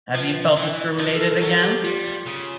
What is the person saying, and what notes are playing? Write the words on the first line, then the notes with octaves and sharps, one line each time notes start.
Have you felt discriminated against?
F3 B4
E3
F3 B4
A4
A#4
F#3 A4
G4
G3 F4
C#3